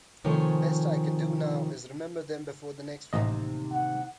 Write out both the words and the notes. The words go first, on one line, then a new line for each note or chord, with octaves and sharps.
The best I can do now is remember them before the next one.
C3 D#3 F3 A3 C#5 G#5
A1 D#2 C3 D#4 D#5
F#5